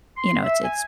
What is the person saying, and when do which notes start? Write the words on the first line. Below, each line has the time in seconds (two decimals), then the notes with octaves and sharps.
you know, it's it's
0.17 C6
0.43 E5
0.64 G#5